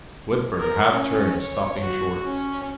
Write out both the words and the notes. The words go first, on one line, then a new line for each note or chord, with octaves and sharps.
Whitburn half-turned, stopping short.
A#4
C#4
C#5
F#4
C#4